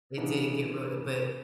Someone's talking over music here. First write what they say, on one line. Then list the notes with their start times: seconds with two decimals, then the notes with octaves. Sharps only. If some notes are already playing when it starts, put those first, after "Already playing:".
It didn't get real but
0.17 C#3 E3 B3 D4 D#4